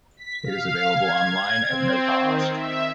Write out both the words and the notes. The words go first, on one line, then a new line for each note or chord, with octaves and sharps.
It is available online, at no cost.
B6
F5
G#6
G#6
C4
D#3
E5